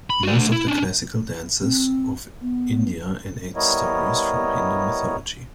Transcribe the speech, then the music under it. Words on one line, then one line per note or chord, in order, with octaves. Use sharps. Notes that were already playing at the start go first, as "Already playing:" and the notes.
Most of the classical dances of India enact stories from Hindu mythology.
B5
F#4 D5
A3 D4
E4
C#4 D4
C4
B3
G3 B3 E4 A#4 C#5 D#5